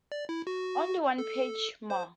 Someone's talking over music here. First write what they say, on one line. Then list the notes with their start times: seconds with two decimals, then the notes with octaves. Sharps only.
Only one page more.
0.12 D5
0.29 E4
0.47 F#4
1.18 A4
1.90 C5